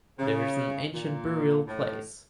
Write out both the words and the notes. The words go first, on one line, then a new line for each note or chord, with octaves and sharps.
There is an ancient burial place.
C#3
A#2
A2